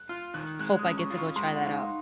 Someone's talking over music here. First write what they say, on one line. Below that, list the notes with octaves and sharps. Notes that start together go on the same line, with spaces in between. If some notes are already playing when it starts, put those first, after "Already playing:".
hope I get to go try that out.
Already playing: F#6
F4 F6
D#3 F#6
G#3 F#6
D#6
C#4
C#6
F4
C#6
G#3 C6
F#5
D#4
F5